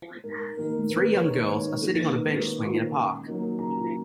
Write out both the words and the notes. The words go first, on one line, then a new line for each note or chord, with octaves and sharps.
Three young girls are sitting on a bench swing in a park.
G#2 A#4
D#3 A#3 A#4
G#2 B4
B4
C#5
D#3 A#3
C#5
G#2 C#5
D#3 A#3
G#2
D#3 A#3
C#3
F#3 A#3 D#4
C#3 A#5